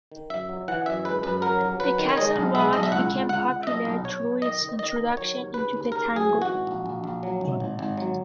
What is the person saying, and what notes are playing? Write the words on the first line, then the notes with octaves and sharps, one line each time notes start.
The Castle Walk became popular through its introduction into the Tango.
D#3
F#2 E5
F#3
E3 F#5
F#2 E5
G#3 B4
F#2 B4
F#3 A#4
F#3
F#3 B4
D#3
C#5
G#3 D#5
B1
G#3 E5
B1 D#5
E5
C#2 F#5
C#2
C#2 F#5
C#2
E5
B1 D#5
B1
B1 C#5
B1
D#3 D#5
D#3
D#3 D#5
D#3
F#3 C#5
D#2
C#3 B4
D#2
C#3 A#4
F#2
G#4
E3
F#4
G#1
A#1
A#1
A#1
F#3
G#1
G#1
G#1
F#3